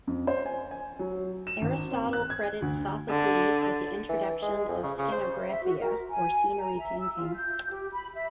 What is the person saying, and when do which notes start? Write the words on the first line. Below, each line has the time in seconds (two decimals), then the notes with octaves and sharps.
Aristotle credits Sophocles with the introduction of "skenographia", or scenery-painting.
0.07 F2
0.27 C5
0.46 G#5
0.71 G#5
0.99 F#3
1.47 E7
1.62 G#1
1.91 C4
2.13 F#6
2.30 G#6
2.62 D2
3.09 D3
4.09 E3
4.42 G#3
4.69 F2
4.83 C#3
4.98 C#3
5.12 C5
5.48 E5
5.63 F#4
5.79 A#4
6.11 G#5
6.59 A#5
6.78 E5
6.99 E6
7.16 F4
7.35 G6
7.70 G4
7.92 B5
8.13 E5